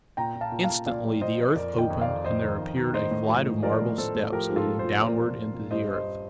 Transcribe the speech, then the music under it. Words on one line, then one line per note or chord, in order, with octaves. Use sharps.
Instantly the earth opened, and there appeared a flight of marble steps leading downward into the earth.
A#2 G5 A#5
A#2
F5 A5
A#2
F5 A5
A#2
A#2 D5 F5
F3
A#2 C5 D#5
F3
F2 A#4 D5
D#3
D#5 G5
F2
D5 F5
F2
F2 C5 D#5
D#3
F2
D#3
A2 C5 D#5
A2
F3
A2
F3 A#4 D5
A2
A2 A4 C5
A2
F3 G4 A#4
F3
F4 A4
A#2
A4 C5
F3
A#2 A#4 D5
F3
F3
A#2
G2 C5 D#5
G2
C5 D#5